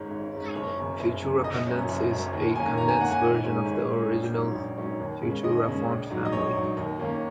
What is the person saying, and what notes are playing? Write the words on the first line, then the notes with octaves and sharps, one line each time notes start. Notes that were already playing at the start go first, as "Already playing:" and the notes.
Futura Condensed is a condensed version of the original Futura font family.
Already playing: G#1 G#2 G#3 C#4
G#1
G#2 G#3 C#4
F#1 C#5
F#2 C#3
F#1
F#2 C#3
F#1 D#5
F#2 F#3 C#4
F#1
F#2 F#3 C#4
D#2
D#3 A#3 C#4 G#5
D#2 A#5
G#5
D#3 A#3 C#4 F#5
G#5
G#1
G#2 G#3 C#4
G#1
G#2 G#3 C#4
A#1
G#2 F#3 C#4
A#1
G#2 F#3 C#4
D#2
C#3 G#3 C#4
D#2 D#5
C#3 G#3 C#4
A#1
G#2 F#3
D#5
A#1 C#5
G#2 F#3
D#2
D#3 A#3 C#4